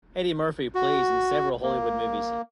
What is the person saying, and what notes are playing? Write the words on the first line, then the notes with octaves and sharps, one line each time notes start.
Eddy Murphy plays in several Hollywood movies.
F#4
A#3